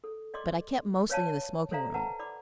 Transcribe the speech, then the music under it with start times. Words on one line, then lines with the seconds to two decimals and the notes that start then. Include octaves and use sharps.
But I kept mostly in the smoking-room.
0.04 A4
0.34 D5 D#5 C6 D6
1.10 B4 C#5 D5 F5 G#5 A5
1.71 A4 C5 D5 E5 F5 A#5
1.94 B4 F#5 A5 A#5
2.19 D5 B5 D6